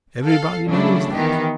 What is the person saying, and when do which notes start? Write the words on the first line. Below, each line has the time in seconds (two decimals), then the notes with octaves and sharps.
Everybody knows that.
0.23 A4 F5
0.67 C#3 F#3 A3 D4 E4
1.12 D#3 E3 B3 G4